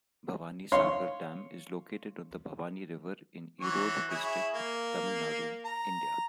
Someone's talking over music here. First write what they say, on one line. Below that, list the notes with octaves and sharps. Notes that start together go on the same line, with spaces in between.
Bhavanisagar dam is located on the Bhavani river in Erode district, Tamil Nadu, India.
C#5 F5 C6
E3 F#4 C#5
E4 G#4 C#5
A#3
A#5